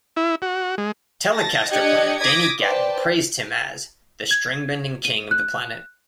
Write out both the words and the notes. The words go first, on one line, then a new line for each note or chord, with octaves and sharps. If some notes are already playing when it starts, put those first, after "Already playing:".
Telecaster player Danny Gatton praised him as "the string-bending king of the planet".
E4
F#4
G#3
A5 A6 A#6
D4 G4 D#5 F#6 G#6 C#7
D6 D#6 G#6 A#6 B6 D7
B4 C5 D5 G5 A5
G#6
D#7
F#6